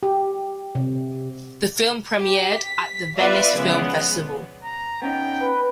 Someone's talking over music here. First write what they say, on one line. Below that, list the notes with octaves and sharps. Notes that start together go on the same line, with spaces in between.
The film premiered at the Venice Film Festival.
G4
C3
G4
B6
B3 F4 B4 D5 E5 F5
C#3 F3 G#3 B3
A#5
B3 C#4 D#4 G5
B4